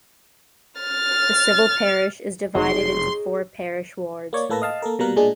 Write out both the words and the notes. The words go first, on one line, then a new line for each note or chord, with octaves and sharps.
The civil parish is divided into four parish wards.
F6 A6
F1 D#4 F#4 G#4 C#5 C6
A#3 C#5 D5
A2 A#3 A4 B4 A5 A#6
D#5 F5 A5
A#3 A4 A#4
B2 G3 A#3 A#4 F#6
A#2 G#3 D4 G#4